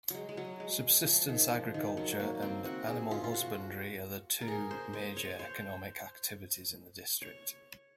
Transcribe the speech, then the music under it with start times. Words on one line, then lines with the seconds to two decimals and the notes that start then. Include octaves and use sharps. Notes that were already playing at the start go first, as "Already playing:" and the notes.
Subsistence agriculture and animal husbandry are the two major economic activities in the district.
0.10 F#3 G#3
0.29 G#3
0.37 F#3
0.60 G#3
1.06 F3
1.29 D#3
1.51 F3
1.74 D#3
1.97 F#3
2.20 A#3
2.42 C4
2.65 F#4
2.88 G#4
3.11 F4
3.24 F4
3.34 F#4
4.41 A#4
4.48 G#4
4.71 C5
4.93 C5
5.17 C#5
5.39 C5
7.22 C#5